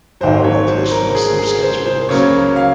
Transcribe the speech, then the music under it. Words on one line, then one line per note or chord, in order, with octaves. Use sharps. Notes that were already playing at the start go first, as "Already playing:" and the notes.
All over the place with my sleep schedules and
G#1 G#2 F#3 C5
C#5
C#5
C5
A#4
G#4
G#4
C5
C5
C#2 C#3 F#3 A#3 C#5
F5